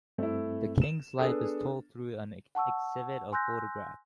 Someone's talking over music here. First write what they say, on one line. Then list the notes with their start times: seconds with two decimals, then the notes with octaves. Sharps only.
The king's life is told through an exhibit of photographs.
0.18 G2 A3 C4 E4
0.82 E7
1.19 B3 D4 G#4 A4 D#6
2.55 F#5 A5 C#6 E6
3.32 G#5 C6 E6 F#6 G6 A#6